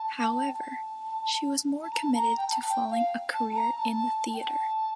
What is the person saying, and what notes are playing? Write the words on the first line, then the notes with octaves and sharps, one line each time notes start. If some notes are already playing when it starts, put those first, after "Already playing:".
However, she was more committed to following a career in the theater.
Already playing: A5
G5
A5
A5
A#5
A5
A#5
G5
A5
G5
F5
A5
A#5
A5
G5
A5